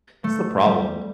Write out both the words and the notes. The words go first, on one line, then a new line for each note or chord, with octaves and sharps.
That's the problem.
A3
G3